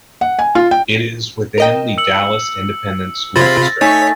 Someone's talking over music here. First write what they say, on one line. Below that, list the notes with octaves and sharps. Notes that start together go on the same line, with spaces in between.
It is within the Dallas Independent School District.
F#5
G#5
F4
G5
A#4 D#5 G5
E6 C#7 F#7
C3 F4 G#4 C5 B5 A6 A#6
A3 D#4 C#5 G#5 A6 B6